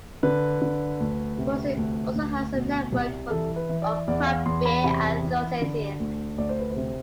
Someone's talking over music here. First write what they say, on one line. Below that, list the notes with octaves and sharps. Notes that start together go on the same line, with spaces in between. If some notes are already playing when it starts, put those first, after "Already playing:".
Muncie also has a network of craft beer enthusiasts.
D3 B4
D3
D2
C3
D2
D2
B2
C2
E3 A4
B4
E3
D5
E2 D5
F5
E2 C6
B5
C3 B5
E3
D3
D2
D2 D5
C5
B4
C5
C3